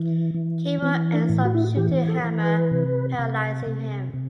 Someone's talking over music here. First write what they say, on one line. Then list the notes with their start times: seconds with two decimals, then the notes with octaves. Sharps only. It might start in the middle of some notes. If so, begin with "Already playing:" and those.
Cable ends up shooting Hammer, paralyzing him.
Already playing: E3
0.34 E3
0.82 E3 C4
1.13 D4
1.29 A2
1.45 F#4
1.55 E4
1.64 F#4
1.77 E3 G4
2.08 A4
2.24 E3
2.40 B4
2.71 C3
3.19 C3
3.66 C3
4.13 C3